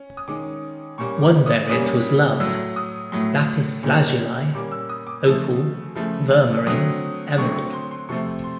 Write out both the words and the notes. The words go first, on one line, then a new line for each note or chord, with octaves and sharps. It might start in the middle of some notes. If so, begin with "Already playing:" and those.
One variant was "love": lapis lazuli, opal, vermarine, Emerald.
Already playing: C#4
D#6
D#3 G#3 C#4 D6
A#2 G3 A#3 C#4 C#6
D6
D#6
A#2 G3 A#3 C#4 D#6
A2 F#3 A3 E6
D#6
A2 F#3 A3
A#2 G3 A#3 C#4
A#2 G3 A#3 C#4 D6
E6
D#6
D6
C#3 F3 A3 E6
C#3 F3 A3
D3 F#3 A3 C4 D#6
D3 F#3 A3 C4 C#6
C#6
C6
C6
C3 F3 A3 C4 C#6
C6